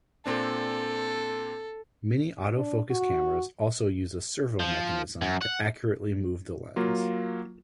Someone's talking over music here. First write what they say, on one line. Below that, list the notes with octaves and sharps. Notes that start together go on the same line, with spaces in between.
Many autofocus cameras also use a servomechanism to accurately move the lens.
A#2 C4 D4 A4
D4
F#4
F3
F#2
F#5
F#3 A#3 F4